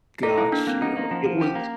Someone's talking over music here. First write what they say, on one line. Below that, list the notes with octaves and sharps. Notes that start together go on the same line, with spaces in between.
Got you, it was
D#4 A4
A#3 E4
A#3 D4
A#3 C4
C#4 D#4
A#3
F3 C#4
F3
C#4 G4
A#3